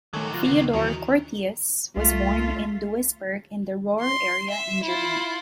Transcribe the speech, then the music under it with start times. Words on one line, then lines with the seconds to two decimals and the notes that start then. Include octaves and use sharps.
Theodor Curtius was born in Duisburg in the Ruhr area in Germany.
0.13 A#2 D#3 F#3 A3 A4 C#5 G#5
0.34 F4 A#5 F#6
0.47 C#2 C3 D#3 B3 C7
0.74 D#2 E3 F#3 D#4 E4 A#4 C#7
1.96 C2 A3 F4
4.01 C6
4.51 E5
4.84 E4 F4